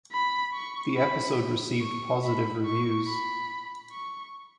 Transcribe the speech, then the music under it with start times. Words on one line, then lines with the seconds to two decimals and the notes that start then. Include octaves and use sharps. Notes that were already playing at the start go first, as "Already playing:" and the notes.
The episode received positive reviews.
0.12 B5
0.54 C#6
0.97 B5
1.81 C#6
2.24 B5
2.65 C#6
3.08 B5
3.92 C#6